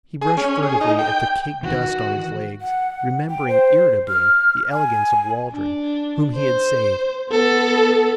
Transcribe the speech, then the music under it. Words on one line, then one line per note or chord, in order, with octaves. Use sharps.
He brushed furtively at the caked dust on his legs, remembering, irritably, the elegance of Waldron, whom he had saved.
G#4
C#4
G#4
D#4
G5
D#3 E3 F#4
F#5
G5
C5
F6
G#5
D4
C5
B3 A4